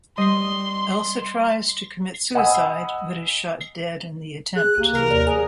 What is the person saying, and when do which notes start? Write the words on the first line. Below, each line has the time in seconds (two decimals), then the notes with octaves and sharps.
Elsa tries to commit suicide, but is shot dead in the attempt.
0.17 G3 D#5 C6 D#6
2.35 D#5 F#5 G#5 B5 D#6 E6
4.56 G#4 F#6
4.77 C2 A#3 G4 D#7
4.92 C3 E3 F#3 A#4
5.10 D#2 D5
5.27 G#4 G#5 D#6